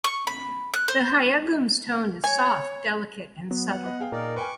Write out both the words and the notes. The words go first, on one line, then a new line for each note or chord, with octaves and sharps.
The Gayageum's tone is soft, delicate, and subtle.
C#6
B5
F#6
C5
C#5 G#5
F#3 B3
F#5
B4 D#5
G#4 F5 G5
A#2 D#4 A#4 D5
B4 G5 G#5 C#6 D6